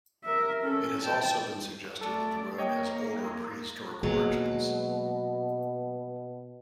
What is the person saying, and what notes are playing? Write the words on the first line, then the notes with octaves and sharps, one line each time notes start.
It has also been suggested that the road has older prehistoric origins.
A#4 E5
C#4 A4
G5 A5
A3 A4 D5
A#3 C#5 D#5 G5
B2 F#3 G#3 A#3 F4